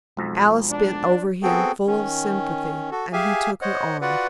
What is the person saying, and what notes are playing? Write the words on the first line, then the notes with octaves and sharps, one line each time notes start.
Alice bent over him full of sympathy, and he took her arm.
B1 F2 G#3
D4
B3 C4 F#4 G#4 A4 G5
D#3 C#4
F#4 A4
G4 G#4 E5 F5 G#5
C5 C#5 D#5 F#5
F4 F#4 B4 D5 F#5